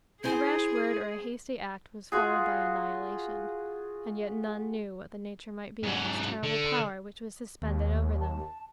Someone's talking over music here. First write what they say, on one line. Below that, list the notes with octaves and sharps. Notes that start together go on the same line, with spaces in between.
A rash word or a hasty act was followed by annihilation, and yet none knew what the nature might be of this terrible power which was suspended over them.
C4 E4 G#4 C5 G#5
F4 F#4 G#4
G#2 F#3
D3
D#2
A5